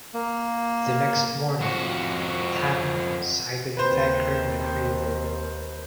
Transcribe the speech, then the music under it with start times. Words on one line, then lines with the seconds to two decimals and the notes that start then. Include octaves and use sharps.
The next morning, "Tang" sighted a tanker and a freighter.
0.14 A#3
1.60 F2 F#4
3.77 D#2 C4 B4 C5